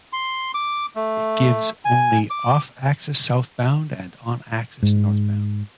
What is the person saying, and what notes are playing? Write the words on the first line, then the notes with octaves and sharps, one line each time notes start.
It gives only off-access southbound and on-access northbound.
C6
D6
A3
G#5
D6
G#2